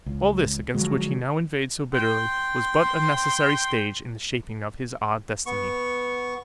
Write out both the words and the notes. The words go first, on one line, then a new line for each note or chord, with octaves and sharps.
All this against which he now inveighed so bitterly was but a necessary stage in the shaping of his odd destiny.
C#2
D3 F3 F#3 G#3
G5 C6
B3 C#6